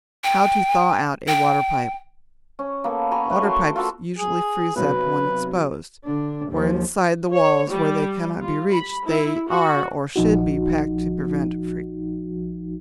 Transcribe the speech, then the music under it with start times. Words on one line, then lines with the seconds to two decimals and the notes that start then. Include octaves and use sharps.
How to Thaw Out a Water Pipe.--Water pipes usually freeze up when exposed, for inside the walls, where they cannot be reached, they are or should be packed to prevent freezing.
0.24 G5
1.28 G5
2.59 C#4
2.84 A#3 B3 A4
3.11 C#5 G#5 A#5 B5
3.30 A3 B4 C#5
3.43 F#4 G5 A5 C6
3.76 F4 F#4 A4 B4
4.18 G#4
4.76 B1 C3 F#3 B4
6.05 D3 D4
6.49 D#2 F3
7.33 C#5
7.69 G3
8.41 F4
8.72 B5
9.07 E4
9.49 F#4
10.16 A#1 F3 D#4 F#4